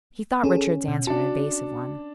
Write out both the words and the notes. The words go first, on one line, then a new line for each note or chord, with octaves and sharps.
He thought Richard's answer an evasive one.
C#4 G#4 A4
B2
D4 F#4 A5